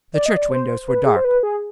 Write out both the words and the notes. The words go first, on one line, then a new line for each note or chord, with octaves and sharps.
The church windows were dark.
D5
D#5
D5
C5
B4
G#4
C5
B4
G#4